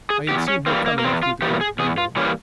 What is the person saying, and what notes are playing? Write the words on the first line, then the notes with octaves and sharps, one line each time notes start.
I had seen her coming through the great window.
G#4
E2 G4
C#4
E3 G3 A#3 C4
A#3
A#3
E2 C4
F4
E3 G3 A#3 G4
G#4
E2 G#4
F4
E3 G3 A#3 C#4